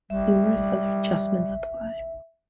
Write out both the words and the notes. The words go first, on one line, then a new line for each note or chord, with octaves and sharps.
Numerous other adjustments apply.
G3 E5